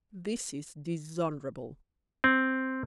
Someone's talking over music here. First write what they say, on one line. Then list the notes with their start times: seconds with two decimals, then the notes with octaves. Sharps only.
This is dishonourable!
2.24 C4